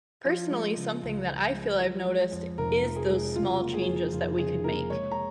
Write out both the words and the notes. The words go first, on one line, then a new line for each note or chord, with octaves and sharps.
Personally, something that I feel I've noticed is those small changes that we could make,
F3 F4
G#3
C#3
C#2
F3
G#3
F3
G#3
F2
F1 A#4
F3
G#4
G#3
C#3 F4
A#3
G#4
F2
F1 F4
C#3 G#4
A#3 A#4
G#3 C#5
A#5